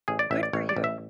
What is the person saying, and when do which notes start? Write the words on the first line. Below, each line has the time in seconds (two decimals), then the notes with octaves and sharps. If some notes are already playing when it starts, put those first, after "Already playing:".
Good for you.
0.08 A1 G#4
0.19 D5
0.31 A1 E5
0.43 D5
0.53 A1 C#5
0.69 D5
0.77 A1
0.84 E5